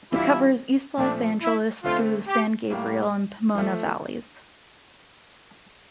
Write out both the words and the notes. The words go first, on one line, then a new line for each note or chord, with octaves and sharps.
It covers East Los Angeles through the San Gabriel and Pomona valleys.
E3 G3 D4 E4 F4
A#2 F3 A3 C4 D4
E4
D3 A3 C4 F4
G4
A2 G3 A#3
F3 A3